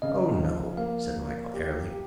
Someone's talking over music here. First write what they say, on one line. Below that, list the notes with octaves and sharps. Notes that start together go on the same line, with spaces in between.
"Oh, no," said Michael, airily.
C#3 D#5
F3
A#3 F5
A#3
G4
G4